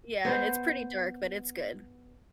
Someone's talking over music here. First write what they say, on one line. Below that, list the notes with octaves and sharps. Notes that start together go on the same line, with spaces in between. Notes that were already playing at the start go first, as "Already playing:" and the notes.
Yeah, it's pretty dark, but it's good.
B3 C5